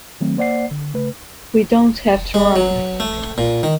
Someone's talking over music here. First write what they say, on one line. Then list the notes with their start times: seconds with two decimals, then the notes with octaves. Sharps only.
We don't have to run.
0.21 D#3 F#3 A3 C4
0.37 A#3 C5 D5 F#5 C7
0.71 D3
0.94 C#3 A3 B4
2.34 G#3
2.56 F#3
3.00 A3
3.38 A#2
3.63 D#3